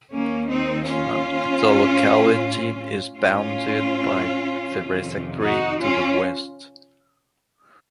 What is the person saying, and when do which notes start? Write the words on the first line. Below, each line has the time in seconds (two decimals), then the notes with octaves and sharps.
The locality is bounded by Theresa Creek to the west.
0.12 D#2 D#3 A#3 C#4
0.50 C4 D#4
0.88 C#4 F4
1.64 A2
3.15 A2 C#4 F4
4.67 F2 C3 D#3
5.42 D#4 F#4
5.80 C#4 F4